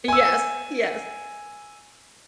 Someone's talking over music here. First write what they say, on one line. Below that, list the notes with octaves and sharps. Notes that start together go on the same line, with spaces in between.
Yes. Yes.
G#5 E6